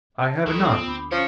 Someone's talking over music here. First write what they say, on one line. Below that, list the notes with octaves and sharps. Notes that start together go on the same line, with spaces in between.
"I have none."
A5
D2 D#3 E4 A4 D#6
B3 C4 F4
D2 D4 B5
F3 C#4 C#5